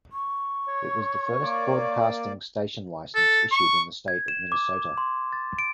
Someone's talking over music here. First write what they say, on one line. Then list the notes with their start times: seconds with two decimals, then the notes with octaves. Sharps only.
This was the first broadcasting station license issued in the state of Minnesota.
0.12 C#6
0.68 C#5
1.41 A#3 D5
3.15 A4
3.52 C#6
4.08 G#6
4.28 E7
4.52 D6
4.98 C6
5.33 A6
5.59 D7